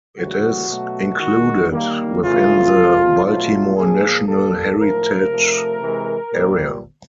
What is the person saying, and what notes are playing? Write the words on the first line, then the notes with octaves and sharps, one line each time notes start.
It is included within the Baltimore National Heritage Area.
C#3 E3 G3 A#3 F#4
B2 F#3 A3
D#3 G#3 F#4
D#3 G3 A#3
C#3 E3 A3 F4
C3 F3 G#3
B2 F#3 A3 F4
A#2 F3 A#3 G#4
A#2 G3 A#3 A4
A2 F3 A3 A#4
C3 F3 A3
C3 E3 G#3
A#2 G3 A#3